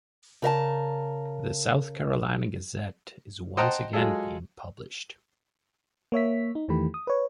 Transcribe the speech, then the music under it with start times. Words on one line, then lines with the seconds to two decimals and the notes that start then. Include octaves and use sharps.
The "South Carolina Gazette" is once again being published.
0.42 C#3 A#4 E5 A5
3.57 C5 D#5 F#5 G5 A5 A#5
3.93 F#3 G#3 F4 G#4 A4
6.12 A#3 C#5 E5 B6
6.55 D#4
6.68 E2 D#3 E3 A3 G4 B5
6.94 D#6
7.07 B4 C#5